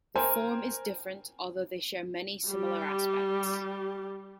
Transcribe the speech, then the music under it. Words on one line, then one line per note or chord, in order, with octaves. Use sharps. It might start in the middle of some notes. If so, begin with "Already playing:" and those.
The form is different although they share many similar aspects.
A#4 C5 G5 G#5
G3 G4